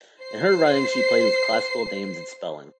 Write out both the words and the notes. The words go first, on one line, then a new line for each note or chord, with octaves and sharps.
In her writings she played with classical names and spelling.
C5 C7